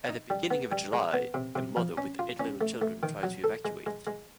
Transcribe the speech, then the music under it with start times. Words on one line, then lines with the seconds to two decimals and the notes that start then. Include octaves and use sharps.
At the beginning of July, a mother, with eight little children, tried to evacuate.
0.09 D#4
0.30 G3
0.51 B3
0.72 G3
0.93 G#3
1.13 B3
1.34 C3
1.56 C3
1.77 F3
1.98 C#4
2.19 F4
2.40 C#4
2.61 A3
2.82 A3
3.03 D#3
3.23 F#3
3.44 A4
3.65 G#3
3.86 G#3
4.07 G#3